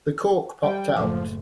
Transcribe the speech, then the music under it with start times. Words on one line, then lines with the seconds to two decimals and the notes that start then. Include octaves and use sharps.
The cork popped out.
0.63 G3 G5
0.97 F#1 A2 F3 A3 A4 D6